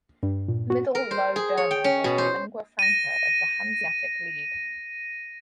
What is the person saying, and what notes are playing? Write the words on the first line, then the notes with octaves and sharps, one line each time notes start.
Middle Low German was the lingua franca of the Hanseatic League.
G2
A#2
F#4
A#4
C5
G#4
C#5
G5
C#4
B2
C5
A#6 D#7